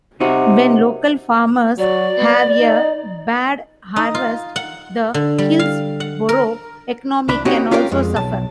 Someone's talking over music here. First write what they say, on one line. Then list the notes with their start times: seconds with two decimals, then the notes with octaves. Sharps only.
When local farmers have a bad harvest, the Hillsboro economy can also suffer.
0.20 C3 D#4 F#4
1.78 F#3 D5
2.18 B3
2.60 D#4
3.96 D#4
4.15 F4
4.56 F#5
5.14 D3
5.38 G3
5.59 F5
6.00 F#5
6.29 A#4
7.29 C2 D4 B5
7.45 A#3 C4 C#4 D#4 F#4 G4
7.71 C#4 F4 G4 A#4 C#5 D5
7.92 F2 G#3
8.16 B1 A5